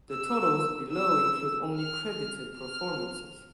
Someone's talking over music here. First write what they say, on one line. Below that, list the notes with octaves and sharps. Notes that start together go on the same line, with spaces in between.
The totals below include only credited performances.
E6
E6
F6
F6